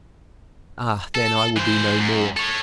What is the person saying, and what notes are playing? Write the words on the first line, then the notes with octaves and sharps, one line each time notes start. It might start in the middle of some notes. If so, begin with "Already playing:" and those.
Ah! then I will be no more!
A4
E3 C5
F#2
A4 C#5